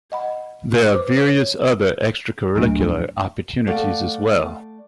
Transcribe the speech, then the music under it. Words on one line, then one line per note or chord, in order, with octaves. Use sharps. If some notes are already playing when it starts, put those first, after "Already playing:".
There are various other extracurricular opportunities as well.
D#5 F#5 B5
B4 C5 D6
C#5
D2 A2 F3 F#3 A3 D4
A3 A4 D5 F5 F#5